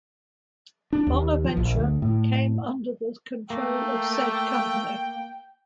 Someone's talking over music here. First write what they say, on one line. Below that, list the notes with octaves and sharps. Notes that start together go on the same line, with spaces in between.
Bonaventure came under the control of said company.
D4
D#2
F3
A#1
D2
A2
A3 A#3 G5